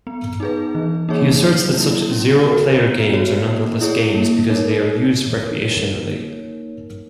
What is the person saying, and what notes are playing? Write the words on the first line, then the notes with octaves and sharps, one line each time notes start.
He asserts that such zero-player games are nonetheless games because they are used recreationally.
B3
D#4 G#4 B4
E3
A#3 D#4 G#4 C#5
F#3
A#3 E4
C#4
F#4 A#4
B3
F#4 C#5
A#3
E4 G#4 C#5
A#3
D#4 A#4 C#5